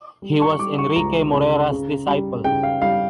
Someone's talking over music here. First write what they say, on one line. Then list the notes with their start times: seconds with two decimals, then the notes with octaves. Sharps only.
He was Enrique Morera’s disciple.
0.22 G3
0.41 C#6
0.59 G3 D6
0.78 C#6
0.96 C#2 A#5
1.33 C#3
1.71 C#3
2.07 G3
2.44 C#3 G5
2.63 F5
2.82 G3 F5